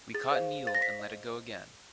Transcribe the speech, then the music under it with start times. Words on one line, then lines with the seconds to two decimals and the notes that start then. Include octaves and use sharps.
We caught an eel and let it go again.
0.14 G#4 A6
0.31 C5 F5
0.49 G#4
0.65 C5 F5 A6
0.75 A#6
0.82 C5 B6
0.99 D#5